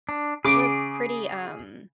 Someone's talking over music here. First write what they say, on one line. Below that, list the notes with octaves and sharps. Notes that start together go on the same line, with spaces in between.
we're pretty, um
D4
C#3 G#4 D6 D7